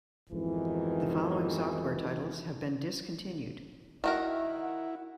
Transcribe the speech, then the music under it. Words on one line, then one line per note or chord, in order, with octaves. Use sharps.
The following software titles have been discontinued.
F2 G#2 B2 D#3 E3
D#3 E4 F#4 A#4 E5
F#5